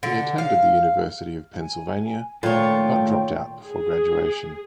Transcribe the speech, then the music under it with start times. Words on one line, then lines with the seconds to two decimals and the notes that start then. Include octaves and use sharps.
He attended the University of Pennsylvania, but dropped out before graduation.
0.03 D3
0.38 F5
1.61 G#5
2.43 A#2 D#3 A3 F4 A4 C#5 G5
3.65 G#4